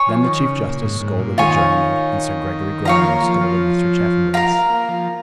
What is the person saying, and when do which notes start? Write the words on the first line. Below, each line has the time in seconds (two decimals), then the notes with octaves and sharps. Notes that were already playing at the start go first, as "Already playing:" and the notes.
Then the Chief Justice scolded the juryman, and Sir Gregory Grogram scolded Mr. Chaffanbrass.
Already playing: C#5 G#5 C#6
0.08 F3
0.23 F3
0.27 D#3
0.46 C#3
0.64 A#2
0.83 G#2
1.01 G#2
1.19 A#2
1.37 D#3 F4 C#5 G#5
2.85 F3 C#5 F5 A#5
3.03 A#3
3.22 F3
3.41 F3
4.33 F3 A#4 F5 A#5
4.70 A#3
4.89 F3